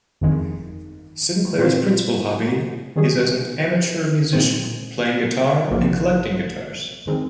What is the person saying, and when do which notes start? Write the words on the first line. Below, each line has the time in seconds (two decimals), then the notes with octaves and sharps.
Sinclair's principal hobby is as an amateur musician playing guitar and collecting guitars.
0.21 G1 F2 D#3 G#3
1.58 A#2 G3 C4 F4 C5
2.96 D#3 G3 C#4 G#4
4.33 A#2 G#3 C4
5.70 A#1 G#2 F3 A#3
7.07 D#3 G#3 C4